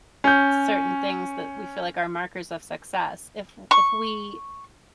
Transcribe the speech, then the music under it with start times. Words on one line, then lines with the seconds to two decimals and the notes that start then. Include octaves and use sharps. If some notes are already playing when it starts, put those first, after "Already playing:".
certain things that we feel, like, are markers of success. If if we
0.24 C#4 G6
3.71 C#6